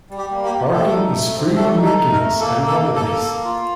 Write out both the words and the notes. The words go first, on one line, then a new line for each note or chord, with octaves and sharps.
Parking is free on weekends and holidays.
G3
G4
A#3
G4
G3
A3 A4
D#4
A3
C4
A3 A4
D#4
A4
D#4
A#4
A3
A#3 A4
A#3
A4
A#3
A4
A#3
A#3
F4